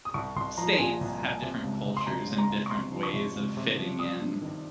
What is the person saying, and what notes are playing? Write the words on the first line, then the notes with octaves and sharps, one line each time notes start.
states have different cultures and different ways of fitting in.
D#6
C2 C#6
C2 C6
F3 A#5
A#2 G#5
C2
C2
C3
C#2
C3
C6
C3 A#5
C#2
A#5
C#2
C#6
C3 C6
F3
C#6
C3
C#2
C3
F3
G3 D#6
G2
D#3